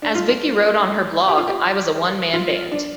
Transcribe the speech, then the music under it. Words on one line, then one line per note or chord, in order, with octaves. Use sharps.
As Vicky wrote on her blog, I was a 'one man band.
D4
F4
F4
G4
F4
G4
F4
D4